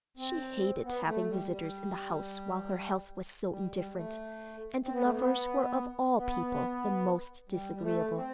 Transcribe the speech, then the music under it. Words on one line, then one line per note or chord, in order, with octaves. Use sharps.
She hated having visitors in the house while her health was so indifferent, and lovers were of all people the most disagreeable.
C4
B3
A3
G3
G3
G3
G3
A3
C4
B3
A3
B3
B3
G3
G3
A3
C4